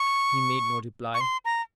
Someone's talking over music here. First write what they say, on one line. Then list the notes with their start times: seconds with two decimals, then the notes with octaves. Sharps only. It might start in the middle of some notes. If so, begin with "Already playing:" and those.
He made no reply.
Already playing: C#6
1.14 C#6
1.21 C6
1.45 A#5